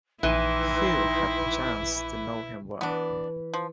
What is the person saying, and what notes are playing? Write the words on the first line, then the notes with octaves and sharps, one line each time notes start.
Few had the chance to know him well.
A#1 E3 D#4 E4 G5 C6 D#7
E3 B3 D4
F3